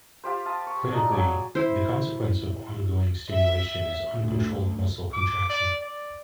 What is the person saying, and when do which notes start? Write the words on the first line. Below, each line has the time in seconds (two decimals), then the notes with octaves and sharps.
Clinically, the consequence of ongoing stimulation is uncontrolled muscle contraction.
0.24 F4 G4 C5
0.46 F5 A5 D#6
0.67 C#6
0.92 D4 D#4 A5
1.11 F#3 G#4 C#5 D5
1.55 E4 C5
3.33 E5
4.20 D2
5.13 D6
5.49 D5
5.81 D5